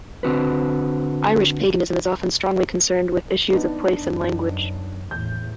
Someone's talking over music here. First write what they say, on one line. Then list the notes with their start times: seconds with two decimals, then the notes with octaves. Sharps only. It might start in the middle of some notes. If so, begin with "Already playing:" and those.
Irish Paganism is often strongly concerned with issues of place and language.
0.23 D3 C4 F#4 B4
3.52 B3 D4 D#4
3.99 F#2
5.11 E2 A2 G6